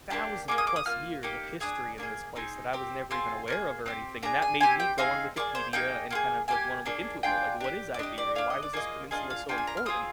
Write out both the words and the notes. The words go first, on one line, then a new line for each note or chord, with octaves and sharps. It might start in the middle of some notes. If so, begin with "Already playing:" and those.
thousand plus years of history in this place that I was never even aware of or anything, and that made me go on Wikipedia and kind of look like, wanna look into it more, like, what is Iberia? Why was this peninsula so important?
A#3 D4 G4
A#3 F4 G#4 D6
D#6
D6
D#6
A#3 F4 F6
A#3 D#4 G4
D4 G#4 D#6
A#3 D4 G#4
C4 D#4 G#4
C4 G4
C4 F4 G#4 C6
A#3 D#4 G#4
C4 D#4 G4
D4 G#4 A#5
G#5
C4 G4 G#5
G5
C4 D#4 G#4 F5
A#3 F4 G#4 D5
C5
A#3 D#4 G#4 G5
A#3 F4 G#4
A#3 D4 G4 G#5
A#3 D4 G#4
D4 F4 G#4 G5
D4 G4
D5
D4 G4 D#5
D5
D4 G#4 F5
D#5
D5
A#3 F4 G#4 D#5
D4 F4 G#4 D#5
F5
D4 F4 G#4 G5
G#5
A#5
F6
C4 F4 G#4 D#6